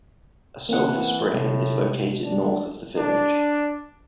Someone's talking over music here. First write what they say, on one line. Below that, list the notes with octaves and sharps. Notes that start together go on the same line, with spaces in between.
A sulfur spring is located north of the village.
E3 A#3 C4 F#5
A2 C3
D4
D4